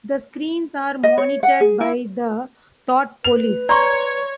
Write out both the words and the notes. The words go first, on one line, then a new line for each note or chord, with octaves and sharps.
The screens are monitored by the Thought Police.
D#5
C#5
F#5
G#4
E4
B4 F7
C#5 D5 A#5 C6 C#6